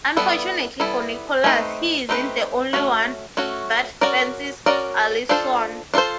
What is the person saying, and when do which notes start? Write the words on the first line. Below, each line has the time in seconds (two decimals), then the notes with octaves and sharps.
Unfortunately for Nicholas, he isn't the only one that fancies Alisoun.
0.17 G3 B3 E4 A4
0.80 G3 B3 E4 A4
1.44 A3 C4 D#4 G4 B4
2.09 A3 C4 D#4 G4 B4
2.73 A3 C#4 F#4
3.37 A3 C#4 F#4
4.01 C#4 F#4 A#4 D5
4.66 C#4 F#4 A#4 D5
5.29 D4 F4 A4 C5
5.94 D4 F4 A4 C5